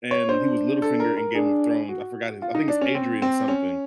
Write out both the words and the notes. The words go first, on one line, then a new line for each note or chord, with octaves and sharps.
and he was Littlefinger in Game of Thrones, I forgot his I think it's Adrian-something,
C#5
D4 C5
A4
A#4
A#4
D4 G#4
F#4
F4
D#4
D4
C#4
C4
C4
C#4